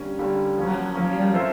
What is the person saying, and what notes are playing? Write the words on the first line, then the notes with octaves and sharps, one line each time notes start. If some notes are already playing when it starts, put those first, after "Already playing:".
Oh, yeah.
Already playing: D3 G3 A#3 C#4
D3 G3 A#3 C#4
F3 A#3 C#4
F3 A#3 C#4
C4 F4 A4 C5 E5